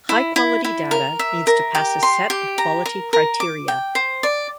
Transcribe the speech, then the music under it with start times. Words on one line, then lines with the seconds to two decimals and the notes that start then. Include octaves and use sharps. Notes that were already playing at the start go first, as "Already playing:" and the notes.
High-quality data needs to pass a set of quality criteria.
0.09 E4
0.36 E4
0.64 E4
0.91 A#4
1.19 E5
1.47 A#4
1.75 G4
2.03 C6
2.30 G4
2.58 A#5
2.86 A#4
3.13 A#4
3.40 D6
3.68 G5
3.95 C5
4.23 D5